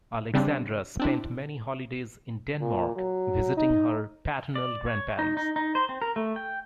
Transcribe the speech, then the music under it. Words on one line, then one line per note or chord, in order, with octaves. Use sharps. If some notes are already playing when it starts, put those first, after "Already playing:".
Alexandra spent many holidays in Denmark visiting her paternal grandparents.
C#3 G3 C4 D4
C4 D4 E4
A#2
F#3
D#4
D5
C#5
D#4
D#4
D#4
C5
C4
A#4
A3
G5